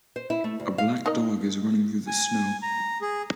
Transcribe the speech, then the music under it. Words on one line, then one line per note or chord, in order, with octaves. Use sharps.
A black dog is running through the snow.
C5
E4
A3
D2
F5
D#4 A#4 D#5
G#5
A#5
G#4